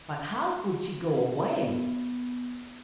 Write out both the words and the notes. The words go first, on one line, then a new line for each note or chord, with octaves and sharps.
But how could he go away?
B3